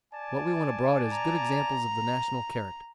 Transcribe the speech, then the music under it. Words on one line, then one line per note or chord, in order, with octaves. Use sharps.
What we want abroad is good examples of the national character.
D5 G#5 A5
A#5